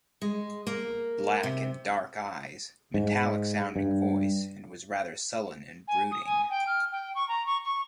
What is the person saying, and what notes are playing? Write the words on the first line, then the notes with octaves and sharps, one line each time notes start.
Black and dark eyes, metallic sounding voice and was rather sullen and brooding.
G#3
A#3
C3
G#2
G2
G#5
D#6
G#5
G5
F6
G5
C#6
A#5
C#6
C#6